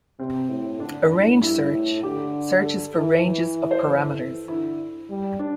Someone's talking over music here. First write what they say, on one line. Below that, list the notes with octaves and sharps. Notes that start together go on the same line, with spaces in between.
A range search searches for ranges of parameters.
C3 C4
A2
D3 D4
A2
G2 E4
A2
D3 G4
A4
E3
E3
C5
E3 A4
D3 E4
G3
D4